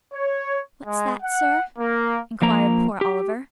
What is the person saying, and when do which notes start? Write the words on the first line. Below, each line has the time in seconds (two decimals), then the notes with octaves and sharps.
'What's that, sir?' inquired poor Oliver.
0.13 C#5
0.86 G#3
1.22 F#5
1.78 A#3
2.42 F3 A#3 A#5
3.01 G4